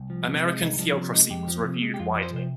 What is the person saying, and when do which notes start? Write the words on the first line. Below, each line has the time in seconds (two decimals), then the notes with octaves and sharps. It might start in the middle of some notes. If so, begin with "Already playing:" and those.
"American Theocracy" was reviewed widely.
Already playing: C2
0.10 F3
0.28 C3
0.45 G#3
0.62 C2 D#4
0.73 D#4
0.79 F3 D4
0.96 C3 D4
1.13 G#3 D#4
1.30 F2 G4
1.48 F3
1.65 C3
1.82 G#3
1.94 G4
1.99 F2 F4
2.16 F3
2.22 C5
2.34 C3 C5